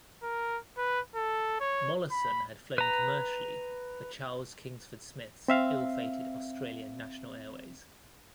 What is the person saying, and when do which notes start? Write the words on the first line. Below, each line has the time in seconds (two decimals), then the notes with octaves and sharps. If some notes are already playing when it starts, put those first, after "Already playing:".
Mollison had flown commercially for Charles Kingsford Smith's ill-fated Australian National Airways.
0.23 A#4
0.78 B4
1.15 A4
1.60 C#5
2.11 B5
2.78 B4 A#5
5.48 C4 E5 F5